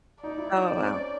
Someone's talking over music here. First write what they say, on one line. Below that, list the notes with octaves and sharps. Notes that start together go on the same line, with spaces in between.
Oh, wow.
D#4 D5
E4
D#4
D#4
C4
C#4